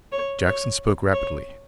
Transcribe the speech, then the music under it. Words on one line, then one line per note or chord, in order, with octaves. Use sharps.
Jackson spoke rapidly.
C#5
C#5
C#5